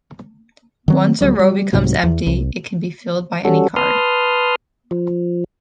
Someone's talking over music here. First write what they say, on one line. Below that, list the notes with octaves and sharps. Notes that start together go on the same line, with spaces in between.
Once a row becomes empty, it can be filled by any card.
D#3 F#3 C4
D2 F#3 G3
G3
C2 G#2 C3 F#3
E2
C2
G3 C#4 F#4 A4
B4 A5 C6 D#6 F6
F3